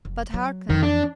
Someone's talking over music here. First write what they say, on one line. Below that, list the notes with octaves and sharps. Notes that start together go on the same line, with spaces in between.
But hearken!
F1
F#3
F2 D#3 E3
D4